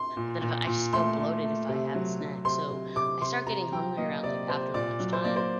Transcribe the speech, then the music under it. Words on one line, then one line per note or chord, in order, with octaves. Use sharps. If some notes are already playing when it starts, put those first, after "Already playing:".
but then if I just feel bloated if I have a snack. So, I start getting hungry around, like, after lunchtime,
Already playing: C6
A#2
A#2
A#2
A3 C6
A3
A3
C3
F#3
F#3
C3 C6
C3
C3 D6
C3 C6
C3 A#5
F#3 G5
A#3 D#5
C3 D5
C3 C5
A#2 D5
F#3
C5
A#3 D5
C5